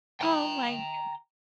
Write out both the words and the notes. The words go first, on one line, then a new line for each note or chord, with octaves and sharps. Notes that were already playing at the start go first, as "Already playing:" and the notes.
Oh my goodn
G5 A#5